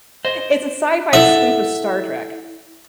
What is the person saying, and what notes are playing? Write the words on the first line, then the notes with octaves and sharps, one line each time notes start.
it's a sci-fi spoof of Star Trek.
C5 D#5
E4 A4 E5 F#5